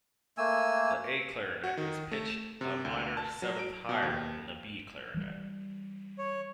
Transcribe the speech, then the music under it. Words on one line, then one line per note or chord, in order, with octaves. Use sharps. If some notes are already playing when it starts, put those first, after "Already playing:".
The A clarinet is pitched a minor seventh higher than the B clarinet.
A3 A#3 G#5 E6
F#4
D#3
A3
E7
C3
D2
A5
F#3
D7
B2
D#2
E3 G3
C#5